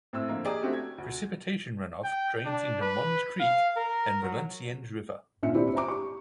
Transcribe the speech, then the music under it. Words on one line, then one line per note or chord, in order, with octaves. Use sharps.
Precipitation runoff drains into Mons Creek and Valenciennes River.
A2 A3 C4 E6
D3 F3 A#3
G4 G#4 D5 D#5 A#5 D#6
A3 C4 C#4 F#4 G4
G#6
D2
G5
D4
B4
F5
A#4
F#3
A#2 C#4 F4 E5 C#7
C4 D4 E4 G4 D5
C5 E5 A#5 D6
G4 C#6